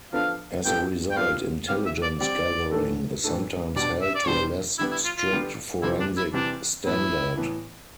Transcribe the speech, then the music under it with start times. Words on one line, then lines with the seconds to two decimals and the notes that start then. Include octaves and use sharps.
As a result, intelligence gathering is sometimes held to a less strict forensic standard.
0.12 F3 B3 D4 A4 F5
0.65 G3 B3 F4 A4 G5
1.10 G5
1.16 G3 B3 F4 A4 F5
1.68 G3 C4 G4 F5
1.86 E5
2.02 D5
2.20 G3 C4 G4 D5
2.71 A2 E3 A3 D4 A4
3.24 A2 E3 A3 D4 A4
3.76 B2 G3 D4 D5
4.02 E5
4.15 D5
4.26 B2 G3 D4 C5
4.78 D3 G3 B3 E4
4.91 E4
5.04 F4
5.17 F4
5.31 D3 G3 B3
5.82 C3 E3 G3 E4
6.00 D4
6.17 E4
6.34 C3 E3 G3 D4
6.85 A2 E3 B3 E4
7.37 A2 E3 B3